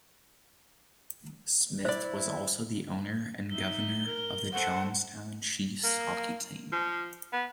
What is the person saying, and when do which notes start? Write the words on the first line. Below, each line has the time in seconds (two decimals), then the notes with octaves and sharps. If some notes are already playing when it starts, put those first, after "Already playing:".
Smith was also the owner and Governor of the Johnstown Chiefs hockey team.
1.85 E4 C5 D5 E5
3.51 D#4 E5 G7
4.07 A#4
4.53 A4 C5 F#5
5.84 A#3
6.72 F3
7.33 B3